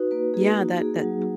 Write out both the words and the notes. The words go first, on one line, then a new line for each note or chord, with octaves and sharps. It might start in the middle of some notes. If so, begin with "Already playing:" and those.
Yeah, that that p
Already playing: D#4 F#4 B4
A#3 B4
A#3 G#4
D#4 F#4
A#3 G#4
F#3